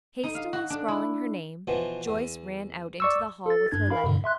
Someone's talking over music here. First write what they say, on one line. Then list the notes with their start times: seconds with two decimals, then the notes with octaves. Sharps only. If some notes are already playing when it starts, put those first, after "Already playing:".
Hastily scrawling her name, Joyce ran out into the hall with her letter.
0.23 D#4
0.35 F5
0.53 F#4
0.70 D4
0.88 E4
1.67 B2 E3 F3
2.08 E2
3.00 D5 C#6 E6
3.46 A4 A6
3.71 G2 D4 G#6
3.90 A#4 F5 B5
4.04 G2 B2 D3
4.24 E5 C6 F#6